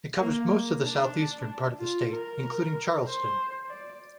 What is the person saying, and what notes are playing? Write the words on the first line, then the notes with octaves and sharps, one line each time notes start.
It covers most of the southeastern part of the state, including Charleston.
A#3
D4
F4
A#4
C5
D5